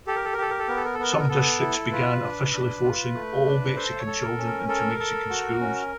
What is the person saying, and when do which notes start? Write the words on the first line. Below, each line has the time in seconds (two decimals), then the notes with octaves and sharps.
Some districts began officially forcing all Mexican children into Mexican Schools.
0.07 G4 A4
0.16 A#4
0.24 A4
0.33 A#4
0.38 G4 A4
0.50 A#4
0.59 A4
0.68 B3 A#4
0.77 A4
0.85 A#4
0.94 A4
0.99 B3 A#4
1.11 A4
1.19 A#4
1.29 B3 A4
1.60 E4
1.91 F4 B4
2.22 D4
2.53 D4
2.84 F4
3.15 A3
3.45 D4
3.76 A4 C5
3.99 C#5
4.07 A4
4.23 A#4
4.38 C#4
4.45 A#4
4.68 A4 A#4
4.99 A4
5.30 F#4
5.61 C#4